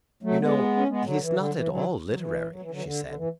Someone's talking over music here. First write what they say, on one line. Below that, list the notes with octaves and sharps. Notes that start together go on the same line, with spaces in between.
"You know, he's not at all literary," she said.
F#3 A3
G#3 B3
C#4
G#3 B3
D3 F#3
E3
D3
F#3
E3
D3 F#3
F#3
E3
F#3
E3
D3 F#3
E3
D3
D3
E3